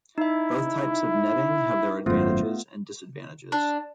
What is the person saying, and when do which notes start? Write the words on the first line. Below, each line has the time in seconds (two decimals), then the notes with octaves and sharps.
Both types of netting have their advantages and disadvantages.
0.18 D#4 E4 E5
2.06 G#1 F#2 A3 B3 F4 C5
3.52 D4